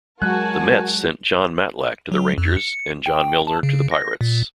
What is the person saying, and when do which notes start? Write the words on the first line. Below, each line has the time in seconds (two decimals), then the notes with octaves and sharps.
The Mets sent Jon Matlack to the Rangers and John Milner to the Pirates.
0.22 F#3 G#3 F#4 A#4 G#5 A5 F#6
2.12 F#3
2.38 F2
2.57 C#7
3.06 G5
3.47 A5
3.63 C#3
3.91 A#6
4.21 A#2